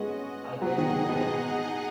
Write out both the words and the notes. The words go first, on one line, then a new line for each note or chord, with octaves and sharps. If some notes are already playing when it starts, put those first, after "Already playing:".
I gave him the letter to read.
Already playing: G#3 B3 C#4 F#4 D#5 F#5
F#3 D#4 G#4 D#5 F#5
D#3
B2